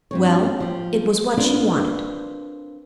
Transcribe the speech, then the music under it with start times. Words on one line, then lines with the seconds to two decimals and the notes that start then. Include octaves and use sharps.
Well, it was what she wanted.
0.11 G2 C4 C#5
0.60 F3 G4
1.37 C4 D4 F4 A#4 B4